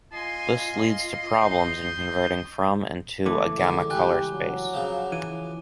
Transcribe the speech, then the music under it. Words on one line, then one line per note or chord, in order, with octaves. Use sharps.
This leads to problems in converting from and to a gamma color space.
F4 D#5 G#5 C6 C7
G6
C#2 E3 A3 D6
E2 D3
G3 G4 G#5 F#6
F#3
C#3 F3
E3 D#7